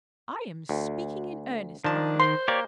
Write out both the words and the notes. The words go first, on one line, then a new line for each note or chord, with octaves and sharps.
I am speaking in earnest, Rufford.
D2
D#3 F3 D4 A5
C5 C6
A#3 G4 C#5 D5